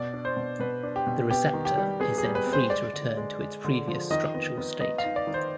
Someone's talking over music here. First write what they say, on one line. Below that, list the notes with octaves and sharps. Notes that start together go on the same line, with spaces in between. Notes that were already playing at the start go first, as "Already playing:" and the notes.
The receptor is then free to return to its previous structural state.
Already playing: B2 D5
D4
C5
B2
B2 B4
D4
G4
B2
B3 G4
D#3
G4
G3
B3 G#4
G#4
G3
B4
B3
C5
G#3 D5
D3
G#3
G#3
D3
F3
D#3 D#5
B3
B3
B3 D#5
F5
D#4
D5
D#3
C5